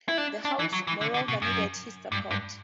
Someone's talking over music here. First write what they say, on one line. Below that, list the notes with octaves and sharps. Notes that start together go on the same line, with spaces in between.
The house, moreover, needed his support.
E4
D4
D4
E3
F#3
E3
D3
D3
B2
F#2
G2
G2